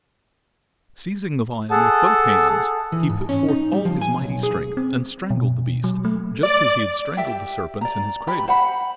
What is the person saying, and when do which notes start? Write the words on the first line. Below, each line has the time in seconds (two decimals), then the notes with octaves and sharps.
Seizing the lion with both hands, he put forth all his mighty strength and strangled the beast just as he had strangled the serpents in his cradle.
1.71 G#4 A4 F#5 A5
2.92 E3
3.09 G#2
3.29 C#4
3.48 D#4
3.72 G3
3.85 F3
4.01 G#5
4.21 B1
4.43 G#4
4.77 C4
5.30 B2
5.84 F#3
6.05 A3
6.43 D5
7.17 G4 E5 G5
7.81 D5 A#5
8.27 G4 B4 B5
8.48 C5 F#5 B5